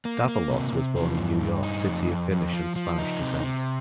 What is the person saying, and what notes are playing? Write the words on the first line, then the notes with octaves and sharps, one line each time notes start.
Davalos was born in New York City of Finnish and Spanish descent.
A#3
A#3
C3
C3
F3
G2
G2
D#4
F2
F2
F2
F3
F3
D#4
C3
C3